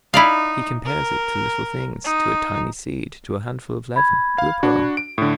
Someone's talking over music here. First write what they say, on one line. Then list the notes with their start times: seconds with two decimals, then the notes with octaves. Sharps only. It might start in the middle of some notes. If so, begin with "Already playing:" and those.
He compares it to little things, to a tiny seed, to a handful of leaven, to a pearl.
0.14 D#4 E4 D5 F5
0.85 A#4
2.04 D#4
3.96 B5 G#6
4.38 F5
4.63 D4 F#4
4.97 D7
5.18 A2 D3